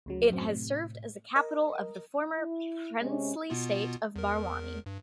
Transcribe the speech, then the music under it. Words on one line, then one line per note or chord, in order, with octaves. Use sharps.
It has served as the capital of the former princely state of Barwani.
D2 C#3 F#3
F#2 A2 F#3 C4
A2 C3
A#4 D#5
E4
C3 G#3 C#4
B2 B3 F4
E2 A#4
G2